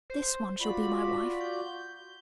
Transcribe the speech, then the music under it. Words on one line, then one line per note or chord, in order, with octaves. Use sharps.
'This one shall be my wife.
C5
F4 F#4 D5 B5
G6